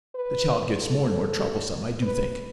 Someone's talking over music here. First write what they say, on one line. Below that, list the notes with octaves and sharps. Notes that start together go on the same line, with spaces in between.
The child gets more and more troublesome, I do think.
B4
A4
B4